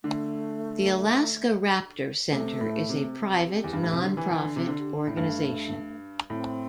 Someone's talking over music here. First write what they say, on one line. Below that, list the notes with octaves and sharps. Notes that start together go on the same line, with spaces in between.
The Alaska Raptor Center is a private, nonprofit organization.
D3 A3
C3 A3
A2
C3
G4
E2
G2
A2
C3
D3
E3
E3
D3
C3 E4
D3
G4
D4
A2
G2 A3
A2 C4